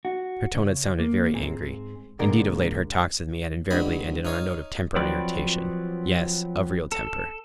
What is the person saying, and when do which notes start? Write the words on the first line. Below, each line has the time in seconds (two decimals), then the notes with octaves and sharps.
Her tone had sounded very angry. Indeed, of late her talks with me had invariably ended on a note of temper and irritation--yes, of real temper.
0.05 F#4
0.55 C#3
0.99 A#3
1.35 G#2 C4 G#4
2.19 A#2 D3 G#3 A#4
3.71 A1 G2 D3 D#5 B5
4.25 D#4 C#5 F5
4.96 F3 F#3 C4 B4 D5
6.92 A4